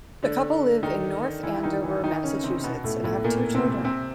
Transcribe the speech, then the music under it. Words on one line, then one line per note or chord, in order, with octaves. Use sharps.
The couple live in North Andover, Massachusetts, and have two children.
D3 D4
D#3 D#4
E3 E4
E4
D#3 D#4
E3 E4
D#3 D#4
C#3 C#4
C3 C4
B2 B3
A2 A3
A2 A3
A#2 A#3
C3 C4
C3 C4